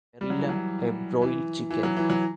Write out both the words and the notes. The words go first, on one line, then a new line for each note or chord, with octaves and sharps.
Marilla, a broiled chicken!
G3
F#3
E3
F#3
E3
E3
F#3
E3
F#3